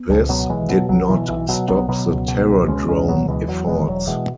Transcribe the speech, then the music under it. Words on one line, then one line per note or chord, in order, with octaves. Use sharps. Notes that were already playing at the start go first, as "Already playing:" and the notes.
This did not stop the Terror Drome efforts.
Already playing: B3
C#2
B2 F#3 B3
B1 E3 G#3
B2 F#3
B1 F#3
B2 E3
B1 E3
B2 F#3
B1 F#3 B3
B2 F#3 B3
C#2
B2
C#2
B2 G#3 C#4
C#2 G#3 C#4
B2 F#3 B3
C#2 E3 G#3
E2 F#3
E1 E3 G#3
E1 F#3
B2 E3 G#3